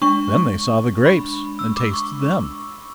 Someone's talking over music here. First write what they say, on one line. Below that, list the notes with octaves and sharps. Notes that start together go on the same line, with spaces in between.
Then they saw the grapes and tasted them.
G#3 D4 C#6
B5
E6
D6
C#6